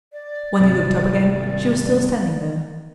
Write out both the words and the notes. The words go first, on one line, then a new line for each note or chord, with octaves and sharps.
When he looked up again she was still standing there.
D5
G#1 C3 G3